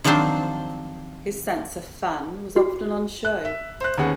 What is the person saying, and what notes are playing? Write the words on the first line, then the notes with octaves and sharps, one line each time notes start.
His sense of fun was often on show.
D#3 F3 F#3 C4 D4 C5
F#4
F#6
E5
C5 F#6
D#2 B3 C#4 G#4 F#5